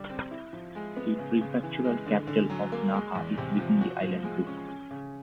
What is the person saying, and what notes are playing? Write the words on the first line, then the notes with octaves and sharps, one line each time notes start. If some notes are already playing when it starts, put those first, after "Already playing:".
The prefectural capital of Naha is within the island group.
Already playing: D3 G3
C4
E4
F3
G#3
B3
C#3
C#3
E3
G#3
D3
D3
F#3
A#3
G#3
E2
C3
F3
F#4
F3
G#3
C#4
C#4
C#3